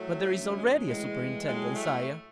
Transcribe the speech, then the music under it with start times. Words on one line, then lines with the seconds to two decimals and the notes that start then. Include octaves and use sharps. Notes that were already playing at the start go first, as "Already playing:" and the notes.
"But there is already a superintendent, sire."
Already playing: A2 F#3 A3
0.27 F#2 D3 F#3
0.57 G#3
0.87 A2 E3 G#3
1.47 A2 F#3 G#3
1.76 A3